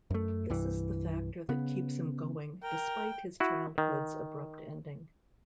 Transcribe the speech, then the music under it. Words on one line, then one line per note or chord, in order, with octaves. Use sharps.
This is the factor that keeps him going despite his childhood's abrupt ending.
F#2 A3
C2 G2 E3
C#3 B3
A#4 G5
E4 F#4
D#3